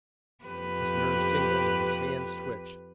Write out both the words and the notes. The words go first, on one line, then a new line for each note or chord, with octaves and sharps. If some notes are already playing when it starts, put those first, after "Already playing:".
His nerves tingled and his hands twitched.
F2 G4 B4